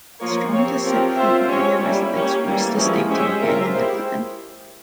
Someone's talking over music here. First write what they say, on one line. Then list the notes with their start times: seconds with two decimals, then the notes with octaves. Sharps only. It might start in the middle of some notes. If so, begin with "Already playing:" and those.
Strong dissent from area residents forced the state to abandon the plan.
0.20 F3 A#3 F4 A#4 C#5
0.52 C4 G4 C#5
0.85 F3 C4 G4 A#4 C#5
1.16 C4 F4 C5 E5
1.48 C#4 G4 C#5
1.80 G3 A#3 E4
2.12 A#3 C#4 G4 C#5
2.44 E3 G3 A#3
2.77 F3 G#3 C#4 E4
3.09 G#3 C#4 G4 C5 E5
3.39 A#3 F4 A#4 E5
3.72 G#3 E4 G4 C5